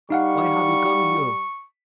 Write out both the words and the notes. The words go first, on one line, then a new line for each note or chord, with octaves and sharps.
Why have you come here?
G3 D#4 F5 F#5 C#6